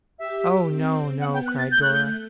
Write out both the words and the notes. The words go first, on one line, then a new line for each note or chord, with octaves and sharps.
'Oh, no, no!' cried Dora.
G4 E5
C4
B3 F#5
G5
F#6
A6
A3 G6
F#6
G6